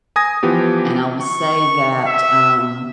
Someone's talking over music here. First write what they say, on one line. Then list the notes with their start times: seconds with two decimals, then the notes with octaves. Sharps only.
And I will say that, um
0.16 G#5 D#6 G#6 A#6
0.43 E3 F3 B3 G4
1.21 C#6
2.07 E5